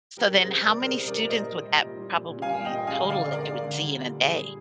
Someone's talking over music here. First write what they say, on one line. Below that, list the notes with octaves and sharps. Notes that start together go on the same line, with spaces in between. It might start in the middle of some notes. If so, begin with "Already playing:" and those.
So, then how many students would that probably total that you would see in a day?
G3 G4 A#4
C3
G#4 C5
C3
G3 A#4 D5
G3 A#4
G#4 C5
C3
G3 A#4 D5
A#4 D5
A#2
C5 D#5
A#2
G3
G3
A#2
G3
A#2
A#2
G3 F5 G#5
G3
D#5 G5
A#2
G#3 F5 G#5
D3
D5 F5
D3
G#3 A#4 D5
G#3
D3
G3
A#2
A#2
G3 G#4
G3